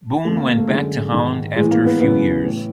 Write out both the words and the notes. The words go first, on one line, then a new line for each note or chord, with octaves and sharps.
Boon went back to Holland after a few years.
F2 D3 A3
A#3
A#3
A3
F#2 D3 G#3
G#2 D#3
A2 E3 G#3
A#3
B3
F#2 C#3 E3 B3
A2 E3